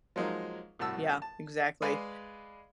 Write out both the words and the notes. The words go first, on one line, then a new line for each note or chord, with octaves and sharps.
Yeah, exactly.
F3 F#3 G#3 A#3 D#4
C2 A2 F#4 A5 E6
A5
G#3 B4 D5 F5 G#5